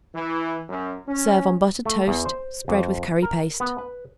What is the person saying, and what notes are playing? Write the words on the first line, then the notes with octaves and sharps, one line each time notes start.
Serve on buttered toast, spread with curry paste.
E3
F#2
C#4
A3
E2
C5
F2
A#4
B3
B4